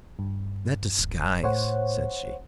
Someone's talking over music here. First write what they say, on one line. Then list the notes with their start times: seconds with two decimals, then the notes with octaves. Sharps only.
"That disguise!" said she.
0.19 G2
0.99 D1
1.44 A2 C5 C#5 F#5